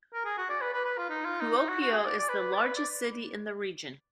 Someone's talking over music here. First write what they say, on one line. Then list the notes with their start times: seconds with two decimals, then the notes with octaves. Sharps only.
Kuopio is the largest city in the region.
0.14 A#4
0.25 G#4
0.38 F#4
0.49 D5
0.62 B4
0.73 B4
0.85 B4
0.98 F4
1.10 D#4
1.25 F4
1.41 D#4
1.57 D#4
1.69 F#4
1.81 F#4
1.93 G#4
2.05 D5
2.19 D5
2.29 B4
2.54 D5
2.65 B4
2.76 D5